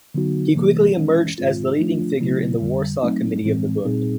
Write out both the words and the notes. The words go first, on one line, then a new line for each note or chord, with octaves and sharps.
He quickly emerged as the leading figure in the Warsaw Committee of the Bund.
D3 F#3 B3 D#4 F#4
C3 E3 G3 A#3
E3 G#3 C#4
G#2 D#3 G#3 C4 F4
F3 A3 D4 F4
C#3 F#3 A3 C4 E4
F2 D3 G3
F#3 A3 C4 D#4
A2 E3 G#3 C4
A#2 G3 C4 D#4 G#4